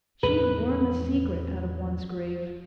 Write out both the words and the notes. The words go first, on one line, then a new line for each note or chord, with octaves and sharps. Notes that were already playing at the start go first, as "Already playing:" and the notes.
She'd worm a secret out of one's grave.'
E2 A2 F3 B4